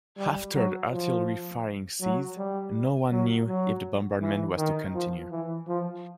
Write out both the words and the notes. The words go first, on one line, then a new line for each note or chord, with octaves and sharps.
After the artillery firing ceased, no one knew if the bombardment was to continue.
G3
F#3
F3
F#3
G3
F#3
F#3
E3
D#3
F3
E3
F3